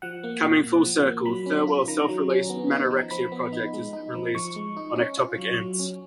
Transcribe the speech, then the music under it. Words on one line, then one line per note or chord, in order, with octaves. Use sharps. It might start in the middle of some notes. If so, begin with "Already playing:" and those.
Coming full circle, Thirlwell's self-released Manorexia project is released on Ectopic Ents.
F3 F#5
A#3
A#2
A#2
F3
A#3
F#3 B5
C#4
F4
D#3 A#5
F#3
C#4
B3
D#4
F3
F3 B5
B3
D#4
G#3
D#4
F3
F3 C#6
G#3
D#4
C#4
F4
F#3
F#3
C#4